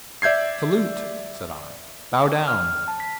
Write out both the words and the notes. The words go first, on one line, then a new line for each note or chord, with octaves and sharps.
"Salute!" said I. "Bow down!"
D5 E5 G6 G#6 C7
F6
A5
B6